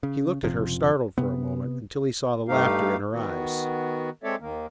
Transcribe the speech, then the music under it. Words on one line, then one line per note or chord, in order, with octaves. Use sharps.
He looked at her, startled for a moment, until he saw the laughter in her eyes.
C#3
F#1 C3 F3
C3 B3
G2 A3 D#4 G4 F5
D#3 B3 F#4
G#3 C4 A4 C#5 D5 E5
D#2 D#3 A#3